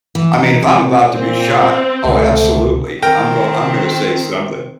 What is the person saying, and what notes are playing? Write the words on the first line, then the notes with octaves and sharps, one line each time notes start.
I mean, if I'm about to be shot, oh, absolutely, I'm go I'm gonna say something.
E3
D#4
C3
A#2 C4
C#2 D3 D#3 G#3 A3
D#3 C4 A#4 G5